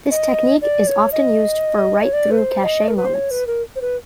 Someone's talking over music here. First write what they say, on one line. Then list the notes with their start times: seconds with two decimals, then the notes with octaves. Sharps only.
This technique is often used for write-through cache memories.
0.11 D#5
0.62 D5
0.87 C#5
1.12 D#5
2.03 C#5
2.13 D5
2.31 B4
2.38 C5
2.64 D#5
2.88 A#4
2.96 B4
3.05 C5
3.14 C#5
3.31 B4
3.47 A#4
3.76 C5
3.81 B4